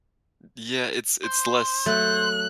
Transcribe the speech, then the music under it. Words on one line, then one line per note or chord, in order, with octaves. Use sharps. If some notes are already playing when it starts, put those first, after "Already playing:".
Yeah, it's it's less
C5
F#3 A3 F#6